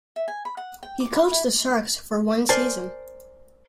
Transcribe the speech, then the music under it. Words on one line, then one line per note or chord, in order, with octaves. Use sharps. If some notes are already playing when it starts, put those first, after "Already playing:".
He coached the Sharks for one season.
E5
G#5
B5
F#5
G5
D6
B5
E4
A#4 C5 D5 G#5 A5